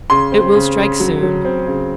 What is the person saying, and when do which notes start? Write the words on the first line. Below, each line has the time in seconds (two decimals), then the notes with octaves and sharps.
It will strike soon.
0.10 C#3 C6
0.32 C4
0.55 C#3
0.77 C#3
1.00 F#3
1.22 F#3
1.45 C4
1.67 C#3